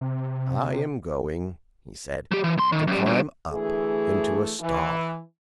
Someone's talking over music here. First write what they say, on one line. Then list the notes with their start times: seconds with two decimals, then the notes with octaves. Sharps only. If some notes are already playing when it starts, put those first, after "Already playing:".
"I am going," he said, "to climb up into a star."
0.01 C3
2.31 F#3 G4
2.44 E3
2.58 C2 C6
2.72 D#3
2.87 F#2 G3
3.06 G2 B2
3.51 D2 E3 A3 G#4
4.60 E3